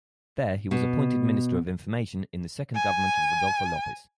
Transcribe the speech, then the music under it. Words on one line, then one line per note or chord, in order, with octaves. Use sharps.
There he was appointed Minister of Information in the second government of Rodolfo Llopis.
B2
G#5